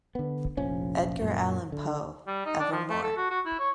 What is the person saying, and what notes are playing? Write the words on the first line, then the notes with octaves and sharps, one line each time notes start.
Edgar Allan Poe evermore.
D3 B3
F1 A#1 F3 C#4
F#2 A#2
D3
G3
D#4
D4
F3
A3
A4
F#4
F#4
E4
C#5